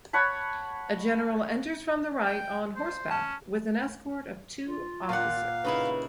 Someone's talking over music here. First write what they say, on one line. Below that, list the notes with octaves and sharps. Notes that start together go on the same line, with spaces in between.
A general enters from the right on horseback with an escort of two officers.
C#5 F#5 A5 B5
G5
C5
C#4 A5
F4
A#2 D5 F5 F#5
C#3 D#4 E4 B4 B5